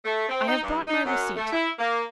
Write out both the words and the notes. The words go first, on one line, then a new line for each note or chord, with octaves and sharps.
"I have brought my receipt."
A3
C4
D#4
G2
D#4
F#2
A3
E4
A#3